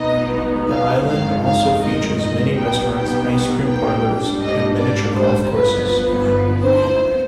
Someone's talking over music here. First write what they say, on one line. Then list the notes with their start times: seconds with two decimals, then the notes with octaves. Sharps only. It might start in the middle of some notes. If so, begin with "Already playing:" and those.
The island also features many restaurants, ice cream parlors, and miniature golf courses.
Already playing: B2 B3 D#4 D#5
0.70 F5
1.07 G1 F2 D#3 G#3 F5
1.44 F5
1.82 D#5
2.18 D#5
2.55 B2 G3 B3 D#4 G5
2.93 G5
3.66 G5
4.03 G#2 G3 D4
4.41 D#5
4.77 D5
5.14 C5
5.51 G1 G2 D3 F3 B3 B4
5.88 B4
6.25 B4
6.63 C5